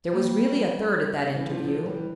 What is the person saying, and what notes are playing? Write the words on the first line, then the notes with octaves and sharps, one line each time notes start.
There was really a third at that interview.
G3 A#3
E3 G3
D3 F3
D3 F3
E3 G3